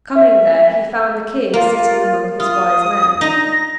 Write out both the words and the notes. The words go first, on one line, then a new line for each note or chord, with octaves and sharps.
Coming there, he found the King sitting among his wise men.
E5
A#3 F4
F4 D#6
D#4 A#5 A#6